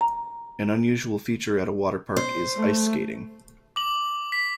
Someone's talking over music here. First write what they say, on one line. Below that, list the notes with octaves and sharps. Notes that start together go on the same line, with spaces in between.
An unusual feature at a water park is ice skating.
A#5
C5
A3
D6 F#7
B6